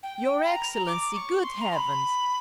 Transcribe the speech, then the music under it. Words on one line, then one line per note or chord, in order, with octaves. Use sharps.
"Your Excellency, good heavens!"
G5
B5
A#5
D6
C#6
C6
A#5
C6
B5